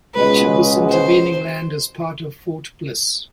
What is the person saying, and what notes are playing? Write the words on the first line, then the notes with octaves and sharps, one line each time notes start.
Much of this intervening land is part of Fort Bliss.
C#2 B2 G#3 B4
C5